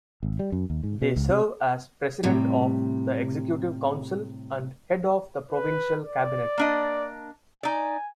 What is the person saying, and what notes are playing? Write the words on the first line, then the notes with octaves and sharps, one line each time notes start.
They serve as President of the Executive Council and head of the provincial Cabinet.
G#1
G3
F#2
D#2
G#2
B2
C#2
C3
A2 C3 G3
B4
D5
A#3 D4 D#5
D#4 D5 G#5